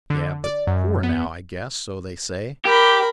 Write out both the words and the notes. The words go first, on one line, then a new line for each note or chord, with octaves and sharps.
"Yeah, but poor now, I guess; so they say."
D3
D5
F#2
B3
G4 A#4 B5